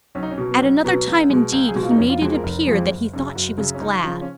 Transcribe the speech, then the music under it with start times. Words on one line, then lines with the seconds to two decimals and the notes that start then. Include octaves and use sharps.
At another time, indeed, he made it appear that he thought she was glad.
0.15 B1 C#4
0.23 D#4
0.31 C#4
0.38 B2 F#3
0.51 B3
0.61 B1 C#4
0.84 B2 F#3 B3
1.07 C#2
1.30 B2 G#3
1.52 C#2
1.69 G#4
1.75 B2 G#3 F#4
1.83 F4
1.91 D#4
1.98 F1 C#4
2.10 F4
2.21 F2 F3 G#3 F#4
2.33 A#4
2.43 F1
2.67 F2 F3 G#3
2.90 F#1
3.13 F#2 C#3
3.35 F#1 F#4
3.58 F#2 C#3
3.74 C#4
3.81 C#2 D#4
4.04 C#3 F3
4.22 C#4